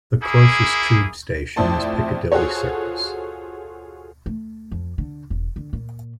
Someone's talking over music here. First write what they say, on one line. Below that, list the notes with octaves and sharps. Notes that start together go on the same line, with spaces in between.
The closest tube station is Piccadilly Circus.
A#3 E4 G#4
F2 A2 E4 C5 D5 A5
F4 F#4 G#4 A4 C5 C#5
A3
F2
D3
E1
D3
A#2